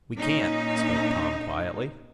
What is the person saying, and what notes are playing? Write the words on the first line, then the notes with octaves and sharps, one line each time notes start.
"We can't," spoke Tom, quietly.
A#2 A#3 C#4 D#4